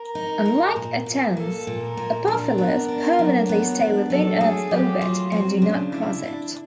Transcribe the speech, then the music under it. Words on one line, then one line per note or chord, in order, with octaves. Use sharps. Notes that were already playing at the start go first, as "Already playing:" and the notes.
Unlike Atens, Apoheles permanently stay within Earth's orbit and do not cross it.
Already playing: A#4
D#4
A#2
A#2
A#2
A#3 A4
A#2
A#4
A#2
D4 A#4
B3
D4
F#3
B3
D4
F#3 A4
A3 G#4
F#3 G4
F#3 F4
F#3 C4
C#3 D4
D4 E4
D4